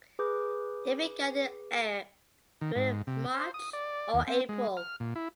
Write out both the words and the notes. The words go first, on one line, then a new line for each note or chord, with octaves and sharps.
It began in Acre during March or April.
G#4 B4 D6 G6
D#3
G#2
C3
C5
D#6
D5
D#2
C4
G#3
F6
A#2
E4